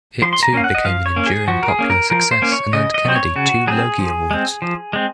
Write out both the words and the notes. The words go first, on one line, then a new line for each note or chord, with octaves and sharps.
It too became an enduring popular success and earned Kennedy two Logie Awards.
F3 C6
C6
A#5
A#3 C#4 F5
F#5
D#5
F3 F5
C#5
A#3 C#4
G#4
F3 F#4
A#4
G#4
A#3 C#4
A#4
F3 A#4
C5
A#3 C#4
C#5
C#3 D#5
D#5
F#3 C4 C5
C#5
C#3 F#4
F#3 C4 G#4
F3
G#3 C4
F3
G#3 C4